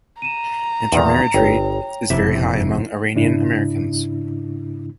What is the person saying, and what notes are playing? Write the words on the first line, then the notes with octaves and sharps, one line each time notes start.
Intermarriage rate is very high among Iranian Americans.
A#5 D#7 E7
E2 A#2 D#3 D#4 D5
G1 C#5 G5
F#1 F2 C3 E4 E5
G#2 C#3 D4 E4